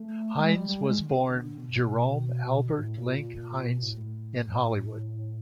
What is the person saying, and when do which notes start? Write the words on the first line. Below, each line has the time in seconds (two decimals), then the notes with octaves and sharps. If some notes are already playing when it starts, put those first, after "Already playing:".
Hines was born Jerome Albert Link Heinz in Hollywood.
Already playing: A3
0.39 G#3
0.53 G3
0.69 G3
0.83 G#3
0.98 D#3
1.05 D3
1.13 C#3
1.28 D3
1.43 D3
1.57 B2
2.78 A2
2.97 A#2
3.17 A#2
3.36 A#2
3.51 A#2
3.66 B2
3.82 A2
3.97 A2